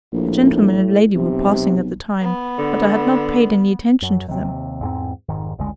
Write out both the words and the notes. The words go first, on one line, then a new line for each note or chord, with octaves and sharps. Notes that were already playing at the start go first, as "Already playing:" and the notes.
A gentleman and lady were passing at the time, but I had not paid any attention to them.
A#1 A2
B1 C3
B3
D3
F#2
D#2 C3
E2 G#2 C4
F1 G#2 D#3
F#1 C#2 D3 G#3